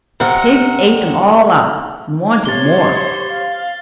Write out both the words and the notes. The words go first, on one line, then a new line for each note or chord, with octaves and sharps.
The pigs ate them all up, and wanted more.
C3 A#4 F#5
G4 C5 C#5 C6 A6 G7
F5